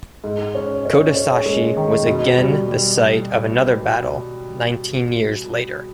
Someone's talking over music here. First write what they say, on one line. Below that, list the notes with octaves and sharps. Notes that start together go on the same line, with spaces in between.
Kotesashi was again the site of another battle nineteen years later.
G#2
C#4
C#4
C#4
G#3
D#3
B2
G3
G3